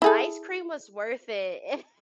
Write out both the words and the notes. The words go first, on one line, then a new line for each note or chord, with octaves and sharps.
the ice cream was worth it,
E4 G#4 A4